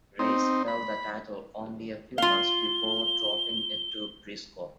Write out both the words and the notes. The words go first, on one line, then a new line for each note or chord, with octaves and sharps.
Race held the title only a few months before dropping it to Brisco.
C4 D#4
B5
F4 F5 G7